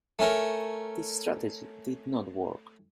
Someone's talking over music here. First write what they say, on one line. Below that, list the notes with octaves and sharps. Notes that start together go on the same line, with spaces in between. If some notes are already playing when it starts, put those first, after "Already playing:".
This strategy did not work.
A3 C#4 A#4